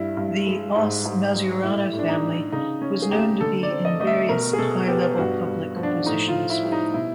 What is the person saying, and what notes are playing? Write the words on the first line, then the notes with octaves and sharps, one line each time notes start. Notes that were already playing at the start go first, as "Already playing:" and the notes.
The Oss Mazzurana Family was known to be in various high-level public positions.
Already playing: G2 E4
G2
G#3
G#2
G#2
G3
A2 E4
A2
D4
D#4
G3
C#3 D#4
C#4
G#4
A#3 G4
D3 A4
D5
C4
D#5
A3 D#5
E5
B2 A#4
G#4
B2 A4
B3 G4
G2 F#4
G2
F3
D4
A2 D#4
F4
A2
E4
G3
D#4
B2 E4